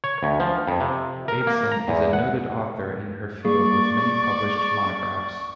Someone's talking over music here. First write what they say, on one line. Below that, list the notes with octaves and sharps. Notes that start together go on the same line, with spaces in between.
Bateson is a noted author in her field with many published monographs.
C#5
D2
F3
F2
C3
A#4
A#3
A#5
E2
F#5
G3 A#3 G#4 D5 C#6